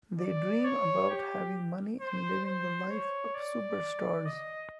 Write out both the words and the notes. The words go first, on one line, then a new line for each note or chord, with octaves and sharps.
They dream about having money and living the life of superstars.
D5
C#5
G4
C5
C5
C#5
D5
D#5